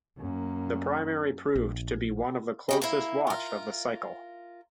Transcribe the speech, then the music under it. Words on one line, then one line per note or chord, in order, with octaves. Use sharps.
The primary proved to be one of the closest watched of the cycle.
F#2 A#3
A#1
C3 G3 D#5
A#3 E4
F4 A#4